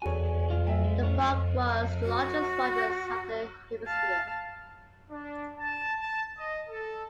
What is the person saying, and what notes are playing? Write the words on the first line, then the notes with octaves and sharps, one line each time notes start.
The park was the largest one in the southern hemisphere.
F#4 A4 C#5 G#5
B1 F4 F5
F#3 A3 E5 G5 G#5
G#3
A2 C#4 C#5
F#4
F5 A5
D4
A5
A5
D#5
A4